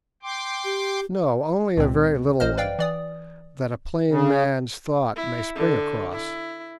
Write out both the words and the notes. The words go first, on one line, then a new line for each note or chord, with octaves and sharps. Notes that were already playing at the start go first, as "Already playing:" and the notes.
No, only a very little one, that a plain man's thought may spring across.
G5 C6 D6
G4
C#2 A#2 C4
A1 C5 D#5 F6
B4 D5 F5 G5
E3 D5 D#6
C#3
E4
D3
E4